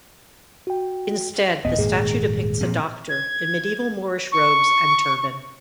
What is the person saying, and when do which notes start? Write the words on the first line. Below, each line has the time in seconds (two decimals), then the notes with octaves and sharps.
Instead, the statue depicts a doctor in medieval Moorish robes and turban.
0.67 F#4 G5
1.65 D#1 B3 D#5
1.79 D#1 G#2 A#3 G#4
2.61 A#2 F3 C4
3.09 G#6
4.32 C#6